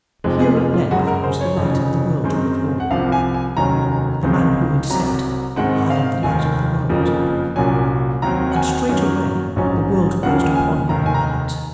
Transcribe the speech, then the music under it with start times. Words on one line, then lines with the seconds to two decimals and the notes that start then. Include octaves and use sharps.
Here at length was the Light of the world before him--the man who had said, "I am the light of the world," and straightway the world burst upon him in light!
0.24 F1 F2 C3 F3 G#3
0.40 G#4
0.57 F4
0.74 F4
0.91 F#2 C#3 G#3 F#4
1.07 A#4
1.23 C5
1.41 C#5
1.56 F1 F2 C#3
2.24 F#2 D#3 G#3 C4
2.80 F#5
2.91 C2 C3 F3 F5
3.12 G#5
3.34 G#5
3.57 F1 D#2 D#3 F#3 C#4 A#5
4.23 C#2 C3 D#3 G#3 C4
4.90 C2 C3 F#3 A#5
5.56 G#2 D#3 G#3 C4 F#5
5.90 F5
6.23 F1 D#2 D#3 G#5
6.89 F#1 F2 C#3 F3 A#3
7.56 C2 A#2 F#3 C#4 G#5
8.22 D#2 D#3 F#3 C4 A#5
8.52 F#5
8.56 G#5
8.89 F#2 D#3 F#3 A#3 C#4
9.56 A#1 G#2 F#3 C#4
10.23 D#2 C#3 F3 A#3 C#4 F#5
10.55 G#5
10.89 F1 D#2 D#3 A#5
11.06 G#5
11.14 A#5